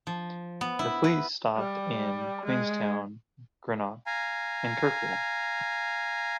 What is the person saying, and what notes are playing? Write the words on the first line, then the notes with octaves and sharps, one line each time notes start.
The fleet stopped in Queenstown, Greenock, and Kirkwall.
F3
B3
E4
B4
G3
G#3
F5 G#5 A#5